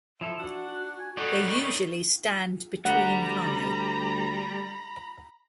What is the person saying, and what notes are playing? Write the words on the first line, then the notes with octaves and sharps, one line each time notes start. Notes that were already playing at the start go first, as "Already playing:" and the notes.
They usually stand between high.
F3 E4 A4 E5
D4 F#4 F#5
G#5
D#3 G3 F#4 A4 C#5 D5 F#5
D#4 A#4 C#5 C#6
D2 G3 F#5 A#5 B5